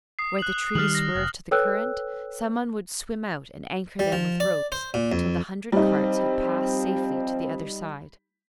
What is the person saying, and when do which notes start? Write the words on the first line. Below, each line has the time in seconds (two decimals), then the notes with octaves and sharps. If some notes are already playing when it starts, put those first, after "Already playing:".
Where the trees swerved to the current, some one would swim out and anchor them with ropes till the hundred carts had passed safely to the other side.
0.19 D#6 C7
0.39 F#6 F#7
0.75 D#3 F#3 G3 F6 F#7
0.95 A#6
1.15 F1
1.51 A4 B4 C#5 G5 E6 F#6
3.99 G3
4.12 F3
4.40 D5
4.72 C5
4.94 A#2
5.12 F2
5.72 F3 G3 C4 D#4